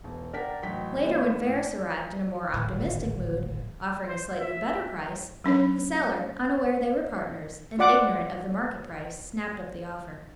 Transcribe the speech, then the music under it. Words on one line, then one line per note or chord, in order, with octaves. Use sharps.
Later when Ferris arrived in a more optimistic mood, offering a slightly better price, the seller, unaware they were partners, and ignorant of the market price, snapped up the offer.
E1
D4 A#4 F#5 G5 A5 B6
A1 F#3 G5 B6
D#2 A3 B3 B4 C#5 E7
A2
D1 G#1
C5
E5
F#3 C#4 D4 C#5
F4 D5 F#5 D6